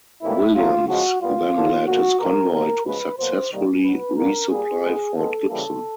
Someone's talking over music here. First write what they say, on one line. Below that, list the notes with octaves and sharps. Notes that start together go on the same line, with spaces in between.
Williams then led his convoy to successfully resupply Fort Gibson.
A2 E3 G3 A#3 E4
C#3 F#3 A3 F4
C#3 F3 G#3 F#4
A#2 G3 B3 F4
D3 F3 A#3
D3 F3 A#3 F#4
B2 G3 A#3 A#4
B2 G3 B3 A#4
C#3 F3 G#3 B3 B4
B2 F#3 A#3 C5
C3 D#3 G3 A#3
B2 F#3 B3 B4
B2 G3 A#3 A#4
A#2 G3 A#3 G#4
B2 G#3 B3
D#3 G#3 B3 A4
C#3 E3 G3 A#3 A4